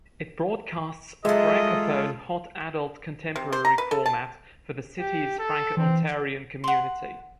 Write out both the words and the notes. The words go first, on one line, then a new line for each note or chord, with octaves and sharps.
It broadcasts a francophone hot adult contemporary format for the city's franco-ontarian community.
F#3 G#3 F4 G#4 A4 D#5 E5
C3
C5
A#5
B4
A4
A5
G4
A4
E3 C4
F#5 C6